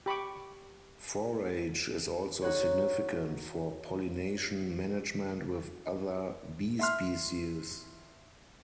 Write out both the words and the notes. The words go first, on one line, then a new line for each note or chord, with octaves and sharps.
Forage is also significant for pollination management with other bee species.
G4 B5 C#6 D6
D#4 F#4 C#5
E5 C6 F6